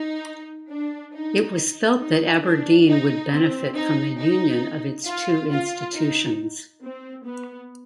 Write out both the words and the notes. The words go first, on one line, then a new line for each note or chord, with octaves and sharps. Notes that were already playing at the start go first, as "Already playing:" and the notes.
It was felt that Aberdeen would benefit from the union of its two institutions.
Already playing: D#4
D4
D#4
D#4
D4
D#4
C4
D#4
D#4
F4
F4
D#4
C4
B3